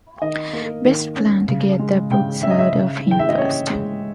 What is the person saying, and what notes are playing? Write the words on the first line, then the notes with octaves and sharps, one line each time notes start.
Best plan to get the books out of him first.
D#3 D#5
A#3
D#3
C#4
C#3
G#3
C#3 G5
C#4 E5
D#5
E5
C#3
E3 G5
E5
D#5
C#4 C#5
G#3